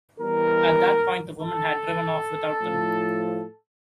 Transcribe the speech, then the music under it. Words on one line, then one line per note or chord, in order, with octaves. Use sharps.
At that point the woman had driven off without them.
E2 E3 G3 A#4
A4
A2 F3